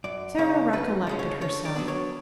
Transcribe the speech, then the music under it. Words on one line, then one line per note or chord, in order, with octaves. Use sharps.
Sara recollected herself.
F#2 D5
C#3 G#3 C#4 C#5
F#2 B4
C#3 G#3 C#4
C#5
D3 C#5
D5
F#3 B3 D4
C#5